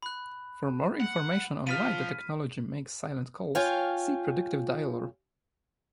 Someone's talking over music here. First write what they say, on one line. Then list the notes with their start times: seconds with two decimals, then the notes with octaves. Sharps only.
For more information on why the technology makes silent calls, see predictive dialer.
0.03 B5 F#6
1.00 F#5
1.67 F3 F6 B6 D#7
3.55 F4 C#5 F5 G5 G#5